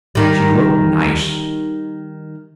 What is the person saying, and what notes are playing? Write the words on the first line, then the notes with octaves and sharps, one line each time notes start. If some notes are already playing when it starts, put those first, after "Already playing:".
She looked nice.
D#3 G3